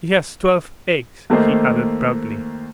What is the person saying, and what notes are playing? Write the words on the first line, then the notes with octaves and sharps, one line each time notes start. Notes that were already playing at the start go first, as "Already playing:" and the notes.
"She has twelve eggs," he added proudly.
D#2 A3 A#3 C5 D#5